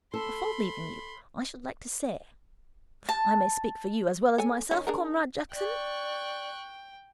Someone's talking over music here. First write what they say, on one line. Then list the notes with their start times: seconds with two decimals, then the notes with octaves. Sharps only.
Before leaving you, I should like to say--I may speak for you as well as myself, Comrade Jackson--?'
0.14 A4 B5 C6
3.09 A5
4.38 A4 C#5 G#5
4.71 D#3 C#4
4.87 D4 G#4 A#4
5.54 D5 G5 C#6 F#6